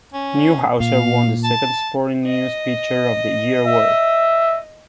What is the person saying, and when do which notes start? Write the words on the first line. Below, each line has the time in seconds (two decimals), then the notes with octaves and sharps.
Newhouser won the second Sporting News Pitcher of the Year Award.
0.14 C#4
0.80 A#2 F5
1.44 A5
2.25 D#5
3.67 E5